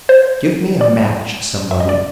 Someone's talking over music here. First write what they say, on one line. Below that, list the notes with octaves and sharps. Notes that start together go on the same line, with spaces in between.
Give me a match somebody....
C5
D5
E5
D#5
D5